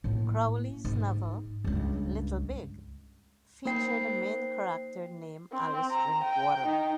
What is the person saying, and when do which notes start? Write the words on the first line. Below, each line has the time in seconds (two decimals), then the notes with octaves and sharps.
Crowley's novel "Little, Big" featured a main character named Alice Drinkwater.
0.04 A2 A#3
0.85 G#2
1.64 C#2 G2
3.65 A#3 D#4 C5 G5 C7
5.52 C4
5.90 A#5
6.24 G5
6.66 D#4